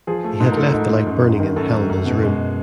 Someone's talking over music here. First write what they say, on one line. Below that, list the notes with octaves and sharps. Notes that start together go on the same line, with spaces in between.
He had left the light burning in Helene's room.
F3 G#4
A3
G#2
A#4
A3 A4
G#2
G#2
F#2
F#2
D#3
F#2 A4
F#2
F#2
B2
G#3